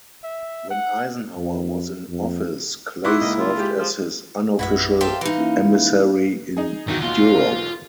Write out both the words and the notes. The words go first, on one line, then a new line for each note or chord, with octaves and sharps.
When Eisenhower was in office, Clay served as his unofficial emissary in Europe.
E5
F#5
F2
F2
D#4 E4 F#4 C6 D6
C#2 A#3 D#5
F4
G#3 G4
F3
A#1 F#2 E4 F#4 B4 E5
G4 A4 C5 E5 F5 G5
E3 D#4 F5
A#3 C#4 E4
D#4 G#4
B1 E2 D#3 F#4
F4